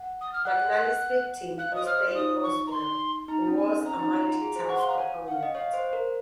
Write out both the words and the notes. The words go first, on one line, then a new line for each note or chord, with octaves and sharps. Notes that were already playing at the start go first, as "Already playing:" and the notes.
McNally's victim was Dave Boswell, who was a mighty tough opponent.
Already playing: F#5
D#6
F6
F#5 F#6
F5 F#6
D#5 D#6
C5
C#5 F6
C5
F4
D#4 D#6
C#6
A#5
C6
D#4 A#5
D#4
C#4
G#5
C4
C#4 A#5
D#4
F4
F#4
G#4
C5
F#5 C#6
C6
F5 A#5
C#5 G#5
F#5
F5
D#5
C#5 F5
C5
A#4